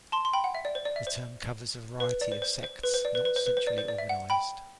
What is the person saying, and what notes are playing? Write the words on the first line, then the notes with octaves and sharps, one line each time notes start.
The term covers a variety of sects, not centrally organized.
A5 C6
C6
G5 B5
F#5
E5
D5
C5
D5
E5
C5
B4
D5
C5
C5
C5
B4
C5
D5
B4
B4
C5
B4
C5
D5
C5
D5
E5
F#5
G5 B5